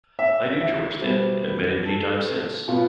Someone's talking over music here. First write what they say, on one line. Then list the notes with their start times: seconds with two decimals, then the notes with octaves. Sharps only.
I knew George then and have met him many times since.
0.19 E5
0.60 E5
1.01 B2 G3 B3 C5
1.43 B4
1.85 A4
2.68 B2 B3 F4